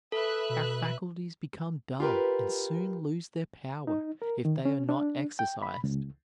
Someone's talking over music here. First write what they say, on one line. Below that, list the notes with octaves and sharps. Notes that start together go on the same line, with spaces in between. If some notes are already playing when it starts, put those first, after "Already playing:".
Our faculties become dull and soon lose their power if they are not exercised.
A4 B4 E5 F#6
B2
F4 G4 A#4 B4
D#4
A#4
D#3
C#4
D4
G5
B5
C#2